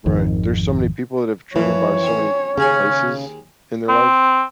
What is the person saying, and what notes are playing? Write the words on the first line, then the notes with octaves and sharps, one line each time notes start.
Right, there's so many people that have driven by so many places in their life,
G#1 F2 D#3
F#2 E3 F3 C#5
C4 C#4
D#2 C#3 C#4 G#4 G#5
C4